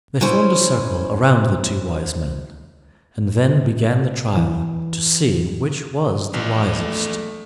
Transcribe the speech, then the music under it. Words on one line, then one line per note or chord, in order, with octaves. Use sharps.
They formed a circle around the two wise men, and then began the trial to see which was the wisest.
C#4 E4 C5 C#5 G#5
E3
A#1 E2
A3